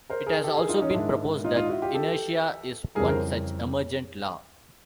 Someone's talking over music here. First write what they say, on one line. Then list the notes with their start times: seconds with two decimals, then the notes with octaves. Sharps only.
It has also been proposed that inertia is one such emergent law.
0.10 A#4 C5
0.26 G#4 A#4
0.44 G4 A4
0.57 G#4 A#4
0.69 D#4 F4
0.82 C#4 D#4
0.94 G#2 D#3 G#3 D4 E4
1.44 D#4 F4
1.56 D#4 F4
1.69 E4 F#4
1.82 F4 G4
1.94 G4 A4
2.95 F2 C#3 E3 G3 G#4 A#4
3.08 A#4 C5